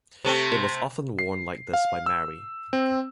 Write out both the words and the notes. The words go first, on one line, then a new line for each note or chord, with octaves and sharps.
It was often worn like this by Mary.
C3 A3 C4
C7
F5
E6
C4